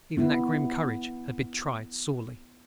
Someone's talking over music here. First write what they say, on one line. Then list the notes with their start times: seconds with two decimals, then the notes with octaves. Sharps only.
Even that grim courage had been tried sorely.
0.17 B3 E4